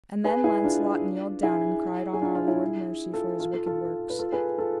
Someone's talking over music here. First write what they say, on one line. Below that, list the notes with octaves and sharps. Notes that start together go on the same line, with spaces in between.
And then Launcelot kneeled down and cried on Our Lord mercy for his wicked works.
G#4 B4
E4 G#4
D4 F4
E4 G#4
G#4
D4 F4
D4 F4
E4 G#4
F4 A4
F4 A4
F4 A4
F4 A4
B4
F4 A4
G#4 B4
F4 A4